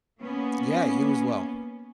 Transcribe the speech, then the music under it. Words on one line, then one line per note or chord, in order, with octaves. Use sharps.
Yeah, you as well.
A#3 B3 C#4